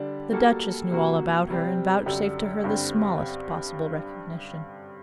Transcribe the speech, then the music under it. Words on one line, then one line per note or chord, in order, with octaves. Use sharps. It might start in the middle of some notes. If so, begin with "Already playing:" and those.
The Duchess knew all about her and vouchsafed to her the smallest possible recognition.
Already playing: D3 G3 D4
G3 A#3 F#4 A4
C3 F#3 A#3 F#4
C3 G3 C4
F#2 D3 G3 D4 G4
G2 D3 G3 C4